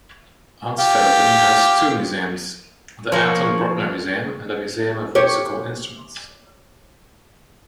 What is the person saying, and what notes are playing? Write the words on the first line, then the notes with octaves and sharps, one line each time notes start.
Ansfelden has two museums, the Anton Bruckner Museum and a museum of musical instruments.
F4 G4
F3 A#3 C#5
G4 C#5